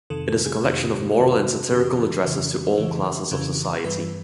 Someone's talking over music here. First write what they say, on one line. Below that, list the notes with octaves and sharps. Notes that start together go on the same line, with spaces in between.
It is a collection of moral and satirical addresses to all classes of society.
F2 C3 D#3 A4
A4
G#4
F2 C3 D#3 G4
F2 C3 D#3 F#4
F2 C#3 E3 G4
F2 C#3 E3
F2 C#3 E3
F2 C#3 E3
G2 E3 B4